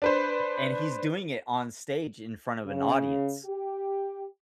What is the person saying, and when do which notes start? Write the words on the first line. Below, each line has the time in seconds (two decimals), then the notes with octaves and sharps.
and he's doing it on stage in front of an audience.
0.02 D4 B4 C5
2.66 C#3
3.45 G4